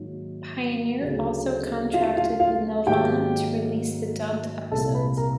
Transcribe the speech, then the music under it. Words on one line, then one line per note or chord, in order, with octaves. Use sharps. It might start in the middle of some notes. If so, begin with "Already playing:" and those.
Pioneer also contracted with Nelvana to release the dubbed episodes.
Already playing: G#2 D#3 F#3 A#3
D2 C#3 F#3
F4 F5
F4 F5
F4 F5
G#2 D#3 F#3 A#3 G4 G5
C2 A#2 G3 A#3 A4 A5
B4 B5
A#4 A#5